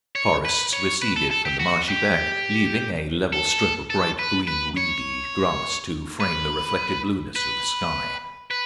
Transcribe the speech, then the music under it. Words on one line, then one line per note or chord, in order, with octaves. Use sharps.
The forests receded from the marshy bank, leaving a level strip of bright green, reedy grass to frame the reflected blueness of the sky.
C#5
B4
C#5
B4
A4
A4
G4
F#4
G4
A4
A4
B4
B4
C#5
B4
B4
B4